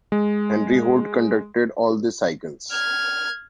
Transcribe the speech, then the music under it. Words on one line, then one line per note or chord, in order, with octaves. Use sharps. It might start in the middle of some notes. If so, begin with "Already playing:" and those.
Henry Holt conducted all the cycles.
G#3
F6 G#6